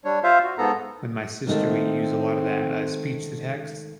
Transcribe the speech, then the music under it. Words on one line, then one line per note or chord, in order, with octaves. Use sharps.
With my sister, we use a lot of that, uh, speech to text
G3 D4 C#5
F4 C5 E5 F5
F#4
G#2 B3 A4 A#5
G#2 D#3 A3 C4